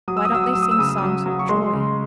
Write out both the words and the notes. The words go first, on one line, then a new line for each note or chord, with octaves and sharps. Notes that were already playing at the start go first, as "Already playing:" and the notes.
Why don't they sing songs of joy?
F#3 D#6
E6
D#6
F#3 E6
D#6
F#3 E6
D#6
E6
C#3 D#6
E6
F#3 D#6
F#3
C#6
G#3 C6
C#3